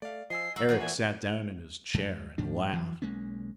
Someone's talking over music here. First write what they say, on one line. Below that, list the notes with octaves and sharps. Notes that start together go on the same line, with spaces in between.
Eric sat down in his chair and laughed.
A3 D5 F5
F3 D#5 G#5 E6 C7
F#1 A#3 F#4 F#5 E6
E2 F3 G#4 B4 G6
D5 E5 G#5
F#2 F#3 G#3
G#2 F3 D4
G2 E3 F#3
B1 G#3 A#3 C#4